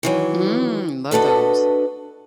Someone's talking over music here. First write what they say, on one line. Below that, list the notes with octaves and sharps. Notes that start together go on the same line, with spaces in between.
Mm, love those.
D#3 E3 F#3
D4 F#4 A4 B4 D#5